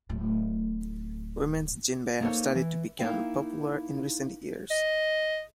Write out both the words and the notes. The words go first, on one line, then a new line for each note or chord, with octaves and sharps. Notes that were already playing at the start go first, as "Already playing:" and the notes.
Women's "jinbei" have started to become popular in recent years.
D1 A2
A#3 B3 D#4 A4 C5 C#5
E3
A#3 D#4 E4 F5 G5
D#5